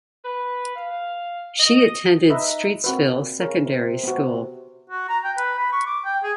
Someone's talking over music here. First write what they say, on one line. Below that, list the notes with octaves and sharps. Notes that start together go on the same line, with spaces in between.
She attended Streetsville Secondary School.
B4
F5
D#5
D#4 B4 D#5 E5
A#2 C4 F#4 B4
C#3 A#4
C3
B3 F#4
F#4
A#5
G5
B4
B5
C#6
D6
G5
G#4